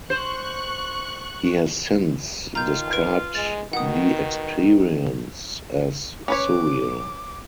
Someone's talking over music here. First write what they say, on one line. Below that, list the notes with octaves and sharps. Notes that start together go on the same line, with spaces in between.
He has since described the experience as "surreal".
C5 C#6 F#6
D#3 F4 A#5 G6
B4 D7
G#3 A6
B2 D#3 F#5 D#6
C#4 B4 C#5 D6